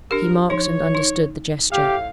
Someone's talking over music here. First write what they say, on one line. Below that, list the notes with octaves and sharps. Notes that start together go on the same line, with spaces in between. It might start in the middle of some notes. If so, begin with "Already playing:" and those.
He marked and understood the gesture.
D4 G4 A#4
F3 D#4 C#5
D#4
A2 G4 F5